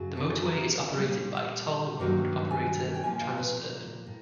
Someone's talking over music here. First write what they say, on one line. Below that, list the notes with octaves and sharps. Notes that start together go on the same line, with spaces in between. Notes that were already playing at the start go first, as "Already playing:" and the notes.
The motorway is operated by toll road operator Transurban.
Already playing: F#2 C#3 F#3
A4
A#4
A#2 G3 A#3
G2 D#3 F#3 A#3
G#5
G5
A#2 F3 A#3 G#5
F5
B4
A2